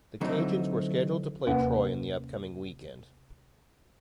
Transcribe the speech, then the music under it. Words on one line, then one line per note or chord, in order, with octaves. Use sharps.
The Cajuns were scheduled to play Troy in the upcoming weekend.
D3 E3 F#3 A3 C4 D#4
D#2 C3 A#3 C#4 B4 F#5